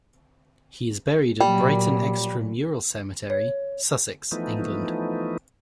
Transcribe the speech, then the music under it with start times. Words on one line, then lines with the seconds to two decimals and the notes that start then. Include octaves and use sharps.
He is buried at Brighton Extra Mural Cemetery, Sussex, England.
1.40 A#2 F#3 G3
3.30 C#5
4.31 E3 F3 A3 B3 D#4